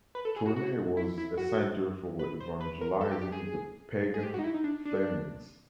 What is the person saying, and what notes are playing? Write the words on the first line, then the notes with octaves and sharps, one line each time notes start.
Tournai was a center for evangelizing the pagan Flemings.
B4
A4
G#4
F#4
F#4
E4
E4
F#4
B4
C5
B4
A#4
A4
G4
G4
G#4
G#4
G4
F#4
D#4
E4
D#4
D4
D4